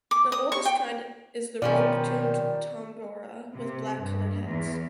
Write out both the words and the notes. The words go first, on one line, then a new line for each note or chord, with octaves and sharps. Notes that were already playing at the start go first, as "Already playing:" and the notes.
The oldest kind is the rope-tuned tambora with black-colored heads.
D6
D#6
C#6
G5
B2 D#3 F3 G3 C#4 D5
C3
G2
E2